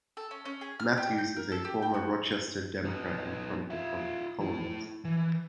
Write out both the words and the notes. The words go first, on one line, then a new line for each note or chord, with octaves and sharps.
Matthews is a former "Rochester Democrat and Chronicle" columnist.
A4
C#4
C#4
G#4
F6
G4
G6
A#4
A4
G4
G5
F#4
B3 D#4
F4 E5
A3 E4
E3